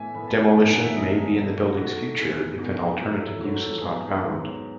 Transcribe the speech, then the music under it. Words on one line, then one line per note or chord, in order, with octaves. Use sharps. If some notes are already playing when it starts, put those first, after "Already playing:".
Demolition may be in the building's future if an alternate use is not found.
Already playing: A2 E3 B3 E5 G#5
A2 E3 B3 B5
A5
G#5
F#2 D#3 F#3 B3 D#4 A5
G#5
F#5
E5
F#2 D#3 F#3 B3 D#4 D#5
G#4
B2 A3 D#4 E4
F#4
B2 A3 D#4 F#4
E2 B2 G#3 B3 D#4 E4
E2 B2 G#3 B3 D#4 F#4
G#4
G#2 F#3 A3 E4
E4
G#2 F#3 A3 F#4
A4
G#2 F#3 B3 G#4
G#2 F#3 B3